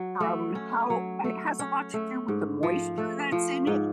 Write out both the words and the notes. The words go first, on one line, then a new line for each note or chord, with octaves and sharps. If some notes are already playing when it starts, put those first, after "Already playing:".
from how it has a lot to do with the moisture that's in it,
Already playing: F#3
A3
C#4
F#3
A3
C#4
A3
G#2
F3
A3
F3
G#2